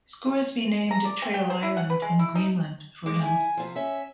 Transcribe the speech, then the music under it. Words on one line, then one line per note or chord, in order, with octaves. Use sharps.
Scoresby named Traill Island in Greenland for him.
A#5
D5
C4
G5
C5
E4
F#5
B4
G#3
E4
D#4
G#3 D6
E4 G#5
C3 F3
C#4 E5